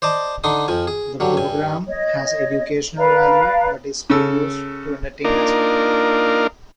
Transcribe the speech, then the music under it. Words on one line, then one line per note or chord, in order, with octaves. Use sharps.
The program has educational value, but is produced to entertain as well.
C5 D5 D#5 A5
D3 D4 D#4 C6 D#6
F2 F3 G#5
G#4
G2 D3 F#3
G2 G#5
C#5 D#5
B4 D5 F5 A#5
C#3 A4 E6
A#3 D4 D#4 F4 A#4